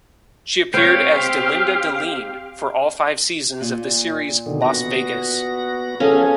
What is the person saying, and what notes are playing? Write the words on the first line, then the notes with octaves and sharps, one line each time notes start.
She appeared as Delinda Deline, for all five seasons of the series "Las Vegas".
C4 G4 C5 C#5 F5
A#2
B2 D3 D#3
B3 F#4 A#6
F3 B3 C#4 G#4 A4 F5 G#6